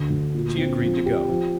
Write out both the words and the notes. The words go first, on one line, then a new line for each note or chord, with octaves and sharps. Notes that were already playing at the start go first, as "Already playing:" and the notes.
She agreed to go.
Already playing: D2 D3
D2
A#2
C4
F3
G4
F3